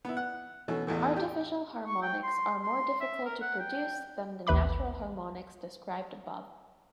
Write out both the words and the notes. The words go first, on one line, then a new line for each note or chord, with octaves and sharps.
Artificial harmonics are more difficult to produce than the natural harmonics described above.
B3 E4
F#5
B2 E3 A3 C#4
A1 E2 A2 E3
G4 G5
C#6
G5
C6
C6
E5
A#4
F#5
G5
A1 D#2 B4 E5 B5 D6